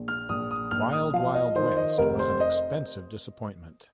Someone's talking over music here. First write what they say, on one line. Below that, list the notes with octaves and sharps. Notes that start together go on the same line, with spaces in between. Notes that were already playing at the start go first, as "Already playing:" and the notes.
"Wild Wild West" was an expensive disappointment.
Already playing: A#1
F6
A#1 D#6
D#6
A#1 F6
D#6
F3 F5
D#5
D#3 C5
D#5
F1 A#4
C5
D#5